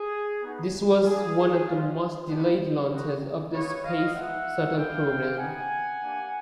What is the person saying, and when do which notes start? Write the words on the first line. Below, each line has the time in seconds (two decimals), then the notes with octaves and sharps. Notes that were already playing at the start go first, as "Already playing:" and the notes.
This was one of the most delayed launches of the space shuttle program.
Already playing: G#4
0.42 B3 D#4 F#4
1.04 A#3 D4 F4 G#4
1.67 G#3 C#4 F4
2.29 B3 D4 G4
2.91 G3 C4 D#4 F#4
3.53 G3 A#3 D#4 B4 C#5
3.84 D#5 F5
4.14 G#3 B3 D#4 E5 F#5
4.77 B3 D4 F#4 F5 G5
5.38 B3 D#4 G4 F#5 G#5
6.01 A#3 D4 G4